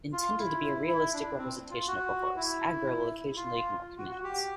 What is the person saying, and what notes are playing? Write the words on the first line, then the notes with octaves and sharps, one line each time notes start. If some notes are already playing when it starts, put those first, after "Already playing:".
Intended to be a realistic representation of a horse, Agro will occasionally ignore commands.
F4
E4
E4
D4
C4
F4
F#4
E4
F4
F#4
F#4
G4